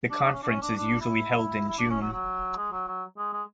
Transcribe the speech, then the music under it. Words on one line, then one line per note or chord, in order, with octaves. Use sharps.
The conference is usually held in June.
D4
D4
C#4
D4
C#4
D4
D4
E4
E4
D4
C#4
F#3
F#3
G#3
F#3
F#3
G#3
G#3